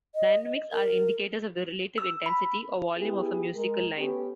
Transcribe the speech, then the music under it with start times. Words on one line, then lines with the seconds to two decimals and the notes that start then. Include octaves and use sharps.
Dynamics are indicators of the relative intensity or volume of a musical line.
0.15 D#5
0.73 A#4
1.98 E6
2.26 B5
2.97 B3 E4 G4 G#4
3.54 G#3 A#4
3.97 A3 B3 C#4 G4